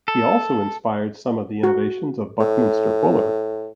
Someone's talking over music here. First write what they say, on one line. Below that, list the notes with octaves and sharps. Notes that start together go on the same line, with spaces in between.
He also inspired some of the innovations of Buckminster Fuller.
A4
F#4
A2